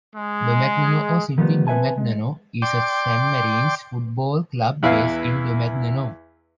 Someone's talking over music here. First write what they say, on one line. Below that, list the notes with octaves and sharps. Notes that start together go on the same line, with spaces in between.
Domagnano or simply Domagnano, is a Sanmarinese football club, based in Domagnano.
G#3
D#3 F3 G3 A3 B3
C4 B4 C#5 E5 G#5 A5
G#3
D5 G5 C6 D6
E2 E4 B4 F5